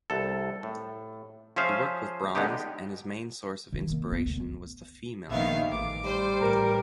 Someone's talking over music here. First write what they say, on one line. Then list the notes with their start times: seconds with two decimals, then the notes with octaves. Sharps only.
He worked with bronze and his main source of inspiration was the female form.
0.10 C2 A4
0.63 A2
1.56 F3 C#4 G#4 C5 E5 F5
2.35 D3 G#3 B3 D#4 G4
3.72 D#3 E4
3.91 D#3 A#3
4.11 F#2 B3
4.26 D2 D3
5.29 A#1 D#3 B3 E5 F5
5.71 A1 D6
6.04 G3 C5
6.41 A1 A#4